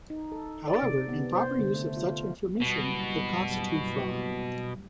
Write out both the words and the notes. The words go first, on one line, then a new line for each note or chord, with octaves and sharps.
However, improper use of such information could constitute fraud.
D#4
A4
D5
C3
B3
C5
D3
A3
F4
F#1 B2 G3